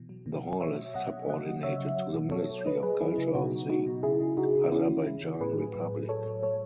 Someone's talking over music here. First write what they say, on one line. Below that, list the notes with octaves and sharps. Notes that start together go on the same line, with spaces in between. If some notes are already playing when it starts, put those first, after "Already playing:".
The Hall is subordinated to the Ministry of Culture of the Azerbaijan Republic.
Already playing: B2 E3
F#3
B2
F#3
B2 C#5 E5
F#3
B2 D#5 F#5
B2
C#3 D#5 F#5
F#3
C#3 C#5 E5
F#3
F#3
B2
F#3 A4 C#5
F#3
F#3 B4 D#5
F#3 G#4 B4
F#3 E4 G#4
C#3
B2 D#4 F#4
F#3
F#3 D#4 F#4
B2
C#3 E4 G#4
C#3
C#3 D#4 F#4
C#3
E3 C#4 E4
E3
C#3
E3
A2 G#4 B4
F#3
A2
A2
F#3 A4 C#5
F#3
F#3 A4 C#5